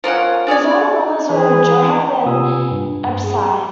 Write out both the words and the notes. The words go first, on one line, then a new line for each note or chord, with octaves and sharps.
His older brothers were Joab and Abishai.
F3 A#3 C#4 F#5
D4 G#4 C#5 D5
E3 G#4 B4
C3 F4 B4 G#5 D#6 E6
G2
G#4